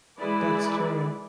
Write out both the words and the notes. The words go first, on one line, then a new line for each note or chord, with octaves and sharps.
That's true.
E3 G#3 E4 G#4 B4 D5